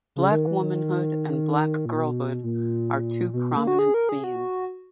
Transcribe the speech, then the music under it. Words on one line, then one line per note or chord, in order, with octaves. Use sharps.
Black womanhood and Black girlhood are two prominent themes.
C#3
D#3
E3
D#3
A#2
B2
A#2
B2
A#3
F#4
G#4
A#4
G#4
F#4